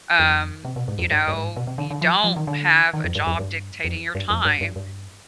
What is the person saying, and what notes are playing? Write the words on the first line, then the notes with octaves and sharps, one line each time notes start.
um, you know, you don't have a job dictating your time,
F2
C3
B2
G#2
F2
G2
G2
G#2
B2
C3
D3
D3
F3
F3
D#3
D3
D#3
F2
G2
F2
G2
F2
G2
F2
G2
G2
G2